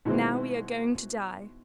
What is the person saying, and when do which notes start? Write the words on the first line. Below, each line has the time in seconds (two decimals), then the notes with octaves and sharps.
"Now we are going to die."
0.05 B2 D#3 G#3 B3 C4 E4